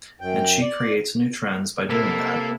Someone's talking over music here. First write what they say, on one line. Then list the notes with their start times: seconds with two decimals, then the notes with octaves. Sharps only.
And she creates new trends by doing that.
0.21 F#2 G5
0.61 D5
1.90 C3 A#3 E4 A4